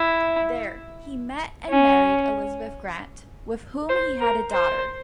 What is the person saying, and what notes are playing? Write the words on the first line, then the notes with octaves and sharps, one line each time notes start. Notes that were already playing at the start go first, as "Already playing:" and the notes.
There, he met and married Elizabeth Grant, with whom he had a daughter.
Already playing: E4
C#4
C5
A#4
C5